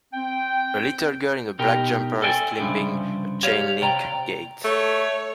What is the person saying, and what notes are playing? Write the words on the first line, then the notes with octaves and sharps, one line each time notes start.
A little girl in a black jumper is climbing a chain link gate.
C4 G5
B2 D#4 G4 A#4 G5
A4 D5 E5 G5 G#5
C2 G2 C#3 F3 D4
G4 C#5 D5 F5
C3 D5 G5 A#5
A3 C#5